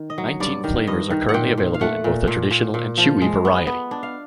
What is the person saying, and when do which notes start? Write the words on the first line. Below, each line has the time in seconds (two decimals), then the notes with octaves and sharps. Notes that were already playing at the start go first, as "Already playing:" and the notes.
Nineteen flavors are currently available in both the Traditional and Chewy variety.
Already playing: D#3
0.10 D#5
0.18 F#3
0.40 G2 D5
0.64 D#3
0.87 G2 D#5
1.10 D#3
1.29 F#5
1.34 A#2 G5
1.58 A#2
1.74 F5
1.81 A3 F#5
2.04 A#2
2.28 A#2
2.51 A#2
2.74 A#2
2.98 F3
3.22 G#3
3.45 B3
3.67 B3
3.91 D4
4.03 F5